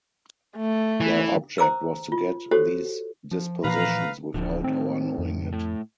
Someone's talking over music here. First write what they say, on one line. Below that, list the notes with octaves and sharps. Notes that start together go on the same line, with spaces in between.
Their object was to get these dispositions without our knowing it.
A3
E3
C5 A#5 D6 E6
F4
F#4 G4 A4 C5 C#5
F3
A#2 E3 F3 B4 F5 A#5
D1 D3 F3
A2 D#3 C4
F2
A2 A3